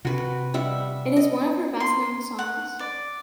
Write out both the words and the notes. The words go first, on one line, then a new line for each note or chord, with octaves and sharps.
It is one of her best-known songs.
C3 F#4 B4
G3 E5 F#5
D#5
C6
F#5
D5